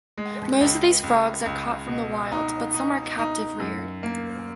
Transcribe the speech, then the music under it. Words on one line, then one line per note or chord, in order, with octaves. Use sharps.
Most of these frogs are caught from the wild, but some are captive-reared.
G#3
C#2
C#2
C#2
B2
D#4
D#4
D#4
F#2
A#3